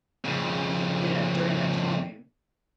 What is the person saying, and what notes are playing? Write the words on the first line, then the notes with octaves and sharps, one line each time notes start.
I mean, you know, during that time.
F2 C#3